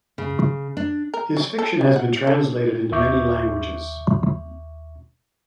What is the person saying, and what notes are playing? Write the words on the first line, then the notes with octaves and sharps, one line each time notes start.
His fiction has been translated into many languages.
C#3
D4
A#4
F#3
A4
G3
F#5
A4
D#2 E5 C#6 D6 G6